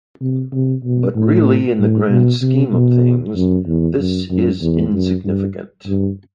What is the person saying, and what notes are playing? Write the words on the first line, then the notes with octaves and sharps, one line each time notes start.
But really in the grand scheme of things this is insignficant.
C3
C3
B2
A2
A2
B2
C3
B2
F#2
E2
F#2
F#2
E2
F#2
G2
G2